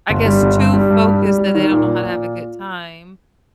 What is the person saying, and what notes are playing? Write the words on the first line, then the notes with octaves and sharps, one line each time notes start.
I guess too focused that they don't know how to have a good time.
G1
G3
G1
G2
G3
G2
G3
G3
G3
D#3
A#2
A#2
A#2